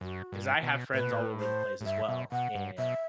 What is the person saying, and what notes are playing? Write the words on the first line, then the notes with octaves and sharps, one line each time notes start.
'cause I have friends all over the place as well, and
F#2 F#4
G2
B2
A2 B4
B2
A2
C5
A2
G2 E5
B2
B2 F#5
G2
B2 E5